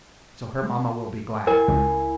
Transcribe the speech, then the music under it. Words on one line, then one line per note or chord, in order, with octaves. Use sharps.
So, her mamma will be glad.
E4 A#4 G#5
C#2